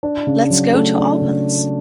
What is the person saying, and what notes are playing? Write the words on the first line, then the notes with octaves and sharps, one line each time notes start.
Let’s go to Alpens.
D4
C#3
F#3
A3
D4
C#3